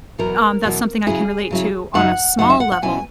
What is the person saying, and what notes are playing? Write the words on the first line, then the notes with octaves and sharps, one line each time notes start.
um, that's something I can relate to on a small level,
E2 B2 F#3 A#4
E2 B2 F#3
C#3 F#3 C#4 E4 G#4
C#3 F#3 C#4 E4
F#2 C#3 F#3 D#4 F#5
F#2 C#3 F#3 D#4 F#5
E5
F#5
F#5
B2 F#3 C#4 E4 G#5